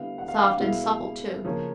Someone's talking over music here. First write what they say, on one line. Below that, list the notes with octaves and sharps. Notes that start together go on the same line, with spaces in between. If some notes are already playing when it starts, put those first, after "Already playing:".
Soft and supple too.
Already playing: D3 G3 B3 E4 F5
F#5
F5
F5
F#5
B2 G#3 B3 E4 F5
C#3 F3 A#3 C#4